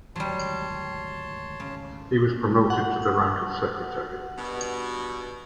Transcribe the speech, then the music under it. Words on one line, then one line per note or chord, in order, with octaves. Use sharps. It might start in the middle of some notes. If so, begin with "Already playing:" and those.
He was promoted to the rank of Secretary.
G#1 D2 F#3 G3 C#5 A5 C6
C#3
F#5
G2 B2